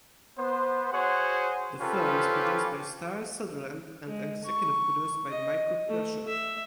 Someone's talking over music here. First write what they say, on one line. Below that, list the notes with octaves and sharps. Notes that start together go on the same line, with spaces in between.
The film is produced by Starr Sutherland and executive produced by Michael Prussian.
B3 C5
F#4 G#4 C5 C#5 F#5
C#4 F4 G4 A4 B4 C5
G#3
C#6
D#5
A3
E5